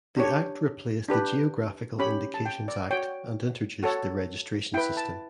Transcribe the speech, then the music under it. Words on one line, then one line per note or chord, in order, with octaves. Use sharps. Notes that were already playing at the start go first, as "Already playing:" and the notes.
The Act replaced the Geographical Indications Act and introduced the registration system.
D4 G4 C#5
D4 G4 B4
C#4 G4 C#5 B5
A5
G5
D5
F#4 C#5 G5
F#4 A4 C#5
E4 B4 G5
A5